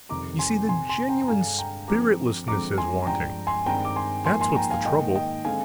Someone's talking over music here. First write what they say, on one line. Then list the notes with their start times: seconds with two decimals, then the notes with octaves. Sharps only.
You see, the genuine spiritlessness is wanting; that's what's the trouble.
0.09 F2 C3 D#3 G3 A#5 D6
0.39 G#5 C6
0.69 C3 G3 C4 G#5 C6
0.89 G#5 C6
1.09 G5 A#5
1.21 A#5
1.28 G2 D3 G#3 F5 G#5
1.58 G5 A#5
1.88 D3 F3 C4 A#5 D6
2.47 D3 F3 G#3 C4 A#5 D6
2.78 G#5 C6
3.07 G2 F3 G#3 G5 A#5
3.47 G#5 C6
3.66 G2 D#3 G#3 C4 G5 A#5
3.85 D6
3.96 G#5 C6
4.25 G#2 F3 A#3 G#5 C6
4.41 G#5 C6
4.56 G5 A#5
4.70 F5 G#5
4.85 G#2 D#3 A#3 D#5 G5
5.15 D#5 G5
5.45 D3 G#3 C4 F5 G#5